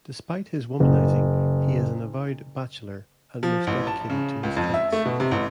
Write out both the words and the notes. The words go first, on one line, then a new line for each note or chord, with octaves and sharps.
Despite his womanizing, he is an avowed bachelor, and most dedicated to his cats.
F#1
F3
A1
A5
C#3
C#2
F2
E5
A3
B2
C3
A1